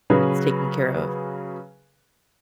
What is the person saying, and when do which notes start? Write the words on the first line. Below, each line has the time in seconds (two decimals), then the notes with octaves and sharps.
it's taken care of."
0.10 C#3 F#3 C#4 G#4 B4